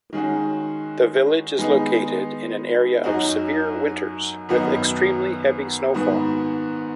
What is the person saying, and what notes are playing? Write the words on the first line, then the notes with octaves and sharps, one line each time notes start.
The village is located in an area of severe winters with extremely heavy snowfall.
D#3 G#3 C#4 F#4
D#3 G#3 B3 D#4
F#2 F#3 D#4 F#4
F#2 D#3 B3 D#4 F#4
G#2 D#3 B3 F#4